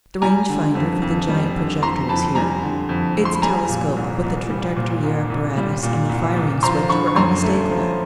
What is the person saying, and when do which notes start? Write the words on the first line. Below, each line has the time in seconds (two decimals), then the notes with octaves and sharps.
The range finder for the giant projector was here; its telescope with the trajectory apparatus and the firing switch were unmistakable.
0.22 G3 G#5 A#5
0.49 D3
0.75 F2
1.02 F2
1.28 G3
1.56 D3
1.82 F2 A#5 C6
2.09 F2 A5 B5
2.35 G3 G#5 A#5
2.63 D3
2.89 F2
3.16 F2
3.25 C6
3.34 B5
3.42 G3 G#5 A#5
3.69 A#2
3.96 C2
4.23 C2
4.49 G3
4.76 A#2
5.03 C2
5.30 C2
5.57 G3
5.83 A#2
6.09 C2
6.36 C2
6.63 F3 A#5 C6
6.89 D3 B5 C#6
7.08 C#6
7.16 F#2 A#5 C6
7.43 A3
7.70 F3